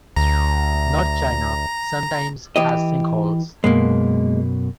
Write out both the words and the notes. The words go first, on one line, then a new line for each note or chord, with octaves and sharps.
North China sometimes has sinkholes.
D2 A#5
E3 G4 D#5
F#2 B2 G#3 A#3